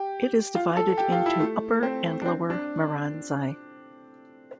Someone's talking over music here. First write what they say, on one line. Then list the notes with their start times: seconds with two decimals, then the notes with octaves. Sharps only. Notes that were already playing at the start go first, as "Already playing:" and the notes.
It is divided into upper and lower Miranzai.
Already playing: G4
0.55 F4
0.77 A4
0.98 G4
1.12 F4
1.26 E4
1.40 A3
1.83 C4
2.22 D4
2.26 C4
2.50 D4